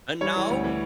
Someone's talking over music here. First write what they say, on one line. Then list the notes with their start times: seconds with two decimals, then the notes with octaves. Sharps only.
"And now
0.21 G3 C#5
0.36 E3
0.50 D2
0.64 E3